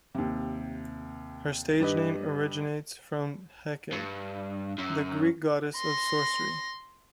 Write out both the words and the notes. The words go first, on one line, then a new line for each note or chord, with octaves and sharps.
Her stage name originates from Hecate, the Greek goddess of sorcery.
D#2 C3
G2 G4 B4 D#5
G2
F#2
C6 A#6